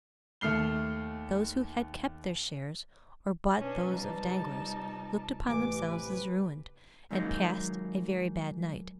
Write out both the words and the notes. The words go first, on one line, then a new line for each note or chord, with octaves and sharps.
Those who had kept their shares, or bought those of Danglars, looked upon themselves as ruined, and passed a very bad night.
D#2 A3 F6 C7 G7
B2 C#4 D4
C3 G3 B3 D#4 F4 A5
A1 G3 A3 G#5 D6
C4 B4
G#2 D#3 F#3 A#3 C#4 D#4